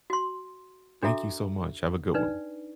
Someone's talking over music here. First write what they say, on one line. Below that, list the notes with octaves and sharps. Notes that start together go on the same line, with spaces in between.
Thank you so much. Have a good one.
F#4 C6
D4 F#4 A4 E5 A#5 D6
D4 D#4 B4 D5